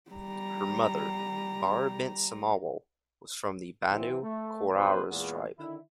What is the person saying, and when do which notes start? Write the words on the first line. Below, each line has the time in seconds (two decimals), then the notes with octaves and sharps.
Her mother, Barra bint Samawal, was from the Banu Qurayza tribe.
0.11 G3 A#5
3.90 C3 E3 F#3 C4 E4
4.23 A3
4.75 B1 B2 B4 C5
5.11 E2 A#2 G#3 B3
5.59 D3 D#3 E4